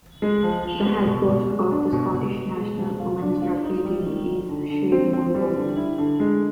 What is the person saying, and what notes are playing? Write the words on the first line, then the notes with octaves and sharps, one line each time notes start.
The head coach of the Scottish national women's rugby team is Shade Munro.
G#3
F3
F3
B3
B2
B2
G#3
D4
B2
B2
B2
G#3
F3
F4
D4
F4
D#4
G3
D#3
D#4
D3
D3
C4
C4
G3
D3
E4
D3
G#3